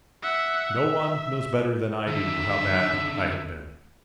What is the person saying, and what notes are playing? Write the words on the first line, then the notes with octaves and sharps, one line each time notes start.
No one knows better than I do how bad I have been.
E5 F#5
E5
D3 D#3 E5